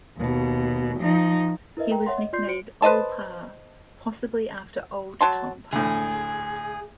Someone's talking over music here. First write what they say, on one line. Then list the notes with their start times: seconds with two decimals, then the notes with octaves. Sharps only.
He was nicknamed "Ole Parr", possibly after Old Tom Parr.
0.16 D#2 B2
1.01 F3 D#4
1.77 E4 A#4 B4 D#5 E5
1.91 A#4 G5 A#5
2.06 C#5 E5 F#5 C6
2.18 D#5
2.33 F4 D5 C6 G6 C7
2.47 F#4 C5 C#7 D7
2.82 B4 C5 D#5 A5
5.21 F#3 A5 C6
5.73 D2 A2 G#4